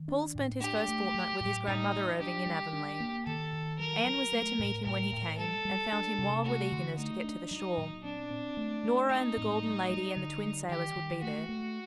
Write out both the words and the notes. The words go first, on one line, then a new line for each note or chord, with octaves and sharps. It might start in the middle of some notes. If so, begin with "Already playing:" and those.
Paul spent his first fortnight with his grandmother Irving in Avonlea. Anne was there to meet him when he came, and found him wild with eagerness to get to the shore--Nora and the Golden Lady and the Twin Sailors would be there.
Already playing: D#3
D4
A2
D4 G4
A3
F#3
A2
A2 D#4
F#3
D4 G4
G3
D4
A#3
D#3 A4
D#3
F#3 A#4
F#3
A3
A2
A2 A#4
A2
G3 A4
G3
D4
C3
A3 F#4
D3
A3 D#4
D4
F#3 D#4
A#2
C4 D4
C4
A3
C4
C4 D#4
A2
G3
G3
D3
G3
D#3 G4
D#3
A3 F#4
A3